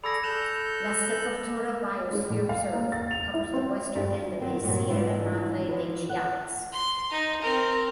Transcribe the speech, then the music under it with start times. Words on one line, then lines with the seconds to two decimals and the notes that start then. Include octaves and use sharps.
La Sepultura Biosphere Reserve covers the western end of the Sierra Madre de Chiapas.
0.04 G#4 A4 D5 B5 E6 A#6
0.24 A4 F#6 G6 E7 F7
2.13 G#3
2.30 A2
2.49 F5
2.73 A#3
2.92 A6
3.11 F7
3.34 E4
3.53 C4
3.95 G2
4.42 F#2 D#3 C4
4.64 G2 A#2 F#3 G3
4.88 G#2 D#3 E3 D4 E4 F4
5.68 E3 F3
6.09 F#5
6.73 C6
7.11 D#4
7.41 C4 A#4